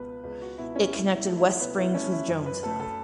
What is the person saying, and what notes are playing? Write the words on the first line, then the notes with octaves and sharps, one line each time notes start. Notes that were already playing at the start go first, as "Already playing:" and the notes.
It connected West Springs with Jonesville.
Already playing: C#2 B2 B3 B4
C#2 B4
F#4
B2 B3 E4
C#4
B2 E4
E4
A3
E4
B2 B4
E4
A3 C#4
E4
F#2
B4
F#3 A3 A4
A4